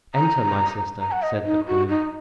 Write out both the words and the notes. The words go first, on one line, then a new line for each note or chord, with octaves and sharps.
"Enter, my sister," said the queen.
A#5
A#5
F#5
D#5
D#4
F#4
D#4